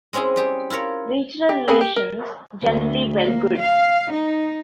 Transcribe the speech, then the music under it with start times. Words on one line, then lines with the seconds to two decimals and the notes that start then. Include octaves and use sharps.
Regional relations generally were good.
0.13 G#3 C4 C#4 E4 G#4
0.36 G3 G4 G#4
0.70 E4 F4 A#4 C#5
1.49 G4
1.68 B3 C4 G#4 F#5 B5
1.81 G4
1.96 A#4
2.61 D2
3.24 A#3
3.58 F5
4.12 D#4